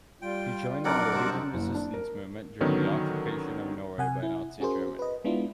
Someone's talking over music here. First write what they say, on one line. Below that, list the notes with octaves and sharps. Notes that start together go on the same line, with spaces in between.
He joined the Norwegian resistance movement during the occupation of Norway by Nazi Germany.
G3 F4 G5
B1 F3 C4 D4 D#4 A#4 D5 F#5
C2 F#2 F#4 C5
F#1
D4
A#4
D3 D#3 F#3 B3 C#4
C3 F#5 G#5
E4
C#4 F#4 G#4 A#4 C5
B4 D#5
G#3 B3 D4 E4 F4